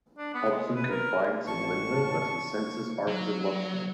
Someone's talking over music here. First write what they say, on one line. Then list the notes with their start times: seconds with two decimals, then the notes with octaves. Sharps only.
Hobson confides in Linda that he senses Arthur loves her.
0.18 D4
0.34 B3
0.51 G#3
0.76 B4
0.90 A#4
1.47 A1 A5 C#6
3.07 F#3